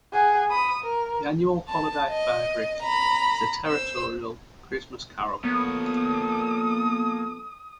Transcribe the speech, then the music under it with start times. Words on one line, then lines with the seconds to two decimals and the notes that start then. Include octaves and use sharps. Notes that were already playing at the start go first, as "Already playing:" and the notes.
The annual holiday favorite is A Territorial Christmas Carol.
0.13 G#4 F#5
0.50 B5 D#6
0.83 A#4
1.68 A5
2.09 D#5
2.82 A#5 B5
3.66 C5 E6
5.44 A#1 A#3 B3 A4 A#4 C#5 D#6